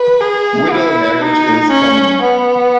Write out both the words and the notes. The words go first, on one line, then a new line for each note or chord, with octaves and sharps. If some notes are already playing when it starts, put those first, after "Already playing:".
Widow marriage is common.
Already playing: B4
G#4
E4
D#4
C#4
B3